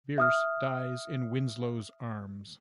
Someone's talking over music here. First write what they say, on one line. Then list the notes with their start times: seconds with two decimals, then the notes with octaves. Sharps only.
Bierce dies in Winslow's arms.
0.18 E5 D#6 F6